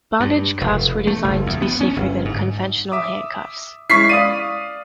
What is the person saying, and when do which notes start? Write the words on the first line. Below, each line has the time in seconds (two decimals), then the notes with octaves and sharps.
Bondage cuffs are designed to be safer than conventional handcuffs.
0.20 G2
0.61 F1
1.07 A3
1.24 F#1
1.47 E2
1.62 B3
1.81 C#4
1.96 G1
2.25 G#2
2.92 E5 D6 D#6
3.90 G#3 C#4 E4 C#6 B6 C7
4.09 D5 F5 D#6 D#7